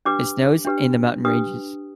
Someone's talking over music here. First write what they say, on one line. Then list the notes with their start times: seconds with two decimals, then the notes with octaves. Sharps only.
It snows in the mountain ranges.
0.05 D4 G4 B4 D6
0.65 D4 G4 B4
1.25 D4 G4 B4 D#6